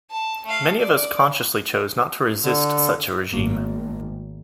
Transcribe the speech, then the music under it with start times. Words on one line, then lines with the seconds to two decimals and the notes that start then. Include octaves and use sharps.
Many of us consciously chose not to resist such a regime.
0.11 A5
0.45 A3 F5
0.79 D5
2.44 D3
3.33 G#1 A3 A#3